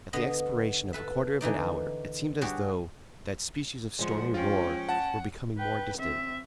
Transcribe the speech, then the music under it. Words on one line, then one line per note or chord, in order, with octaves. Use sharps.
At the expiration of a quarter of an hour it seemed as though that species of stormy roar were becoming more distant.
D3 B3 D#5
A4 B4 E5
D3 E3 D#4 D5
G3 D4 F#4 G#4 C#5
D3 F3 G#3 F#5
C#4 F4 G5
F#5 A5
B4 G5
C4 E5